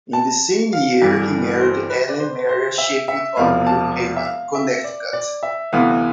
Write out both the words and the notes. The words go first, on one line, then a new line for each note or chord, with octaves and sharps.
In the same year he married Ellen Maria Sheffield of New Haven, Connecticut.
A5
F5
G1 G2 E3
C5
B4
D5
C5
C5
E5
E5
E1 E2 C3 F3 F5
A5
E5
F5
E5
D5
D5
E5
D2 C3 E3 B3 F5